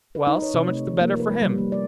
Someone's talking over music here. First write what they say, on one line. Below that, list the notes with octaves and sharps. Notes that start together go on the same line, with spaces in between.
"Well, so much the better for him."
B4
D#4
C#5
C3
A3
F3
A#3
B4
G3
A#3
D5